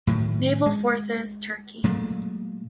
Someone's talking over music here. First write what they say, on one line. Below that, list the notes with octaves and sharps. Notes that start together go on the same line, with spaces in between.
Naval Forces, Turkey.
A2 D#3 F#3
G#3
A#2 F#3 G#3 A3